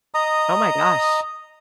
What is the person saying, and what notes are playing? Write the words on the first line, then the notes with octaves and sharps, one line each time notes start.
Oh, my gosh.
D#5 A#5 D#6